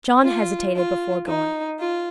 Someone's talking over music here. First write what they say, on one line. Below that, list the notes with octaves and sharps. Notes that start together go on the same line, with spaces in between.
John hesitated before going.
F4
F4
D#4
F4